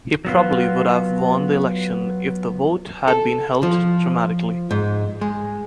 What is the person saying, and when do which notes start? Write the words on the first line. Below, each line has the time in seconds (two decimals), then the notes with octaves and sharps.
He probably would have won the election if the vote had been held democratically.
0.25 F#3 B3 F4
3.08 A4
3.63 F3
4.71 G#2
5.21 G#3